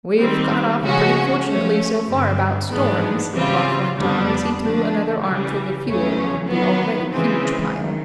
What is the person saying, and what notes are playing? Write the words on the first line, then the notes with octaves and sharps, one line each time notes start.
"We've got off pretty fortunately so far about storms," Bluff went on, as he threw another armful of fuel on the already huge pile.
D#3 G3 C4
C#3 F3 G#3 C#4 F#4
F3 A3 C#4
G2 D3 G3 C4
G#2 E3 G#3 B3 D4
C#3 E3 G3 C4 F4
F2 D3 G3 B3 D4
D3 F3 A3 D4
C#3 E3 G3
E2 C#3 F#3 A3 C#4
D#3 F#3 B3
C#3 E3 G#3 C4
D#3 F#3